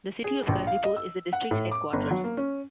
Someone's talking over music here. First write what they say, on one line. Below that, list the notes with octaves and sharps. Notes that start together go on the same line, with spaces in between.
The city of Ghazipur is the district headquarters.
G#4
A#1
F5
D#5
E6
F#5
A2
D6
G1
F#3
A#3
C#4